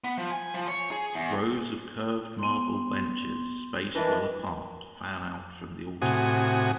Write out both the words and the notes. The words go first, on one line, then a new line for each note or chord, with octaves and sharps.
Rows of curved marble benches, spaced well apart, fan out from the altar.
B3
F3
G#5
F3
C#5
G#4
E2
B3 C6
E3 D4 A#4 D#5
A2 C3 F#4 G#5 D#6